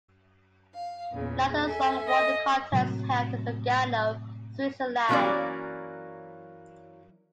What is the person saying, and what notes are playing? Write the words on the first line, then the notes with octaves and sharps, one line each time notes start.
Neither song won the Contest, held in Lugano, Switzerland.
F5
E2 A#2 C#3
A4 E5 G#5
D#5
A2 C3 F#3 A#3
E3 F#3 A#3 C#4 E4 D5